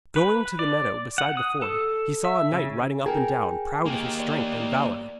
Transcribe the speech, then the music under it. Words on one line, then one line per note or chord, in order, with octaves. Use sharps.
Going to the meadow beside the ford, he saw a knight riding up and down, proud of his strength and valour.
B4
D5
F#5
D#6
A4
E5
C#3
G#4 A#4 G5 G#5 A#5
A#3 G4
D5